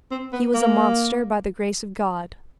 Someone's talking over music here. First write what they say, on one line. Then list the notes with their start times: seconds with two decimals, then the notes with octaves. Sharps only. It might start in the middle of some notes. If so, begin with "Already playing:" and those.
He was a monster by the grace of God.
0.11 C4
0.33 B3
0.54 A#3